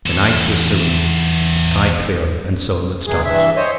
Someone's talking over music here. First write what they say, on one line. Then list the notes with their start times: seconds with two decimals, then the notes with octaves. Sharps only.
The night was serene, the sky clear and sown with stars.
0.06 E2 A4
3.07 C3 E3 G#4
3.25 G2 E3 E5
3.57 C5 C#5 D#5